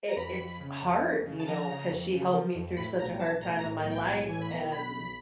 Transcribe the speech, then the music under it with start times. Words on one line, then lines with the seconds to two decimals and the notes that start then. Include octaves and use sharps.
eh i it's hard, you know, 'cause she helped me through such a hard time in my life, and
0.09 A#5
0.16 F2 B5
0.39 F2
0.60 C#3
0.82 F2
1.04 F2
1.26 C#3
1.40 A5
1.47 F3 A#5
1.68 C#3
1.90 F2
2.13 C#3
2.33 F3
2.55 F2
2.77 A2 B5
2.99 B1 A#5
3.20 B1 A5
3.41 A2 A#5
3.59 A#5
3.63 A2
3.85 B1
3.91 G5
4.07 A2 G#5
4.29 E3 G#5
4.41 B5
4.50 B1 A#5
4.72 B1 B5
4.94 B1